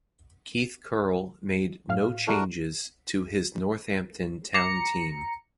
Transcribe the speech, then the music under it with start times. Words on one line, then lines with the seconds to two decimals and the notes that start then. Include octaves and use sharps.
Keith Curle made no changes to his Northampton Town team.
1.89 A2 F5 F6
2.27 G3 D4 E4 F#4 A4 A#4
4.54 A#5 D6 C7 C#7 E7